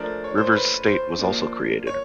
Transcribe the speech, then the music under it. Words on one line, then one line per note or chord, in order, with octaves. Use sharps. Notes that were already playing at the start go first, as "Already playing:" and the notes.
Rivers State was also created.
Already playing: F3 A3 D4 A#4
C#5
C5
B4
C5
F3 A#3 D4
C#5